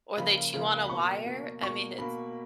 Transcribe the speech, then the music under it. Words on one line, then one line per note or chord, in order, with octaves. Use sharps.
or they chew on a wire. I mean, it's
C#3 F3 A#3 B5
C#3 F3 A#3
B5
B2 A#3 C#6
B2 A#3
B2 A#3 C#6
B2 A#3 B5